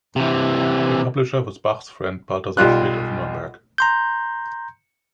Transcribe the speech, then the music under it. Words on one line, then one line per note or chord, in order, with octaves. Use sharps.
The publisher was Bach's friend Balthasar Schmid of Nuremberg.
C3 E3
B1 G3 F4 F#6
A#5 C6 G6